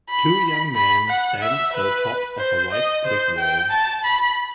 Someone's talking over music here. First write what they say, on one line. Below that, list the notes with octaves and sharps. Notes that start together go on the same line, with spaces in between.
Two young men stand so top of a white brick wall.
B5
B5
F#5
E5
B4
C5
D#5
C5
G5
A5
B5